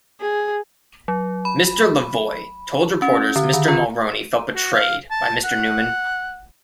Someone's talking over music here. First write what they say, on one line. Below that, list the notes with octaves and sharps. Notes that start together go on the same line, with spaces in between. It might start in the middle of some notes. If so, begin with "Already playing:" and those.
Mr. Lavoie told reporters Mr. Mulroney felt betrayed by Mr. Newman.
G#4
F#3
B5
C#4
D3
D#3
F4
F#4
F5
A5
F#5